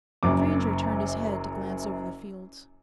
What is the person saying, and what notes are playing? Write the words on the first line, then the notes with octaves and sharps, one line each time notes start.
The stranger turned his head to glance over the fields.
F#1 F#2 D6